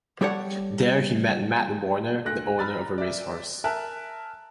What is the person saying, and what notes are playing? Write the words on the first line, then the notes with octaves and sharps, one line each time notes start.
There he met Matt Warner, the owner of a race horse.
G3 G4 A4 C#5 D5 F#5
D2 A3 F#6 A#6
A#5 B5 E6 F6 A6
D5 E5
A#4 E5 G#5 A5 F#6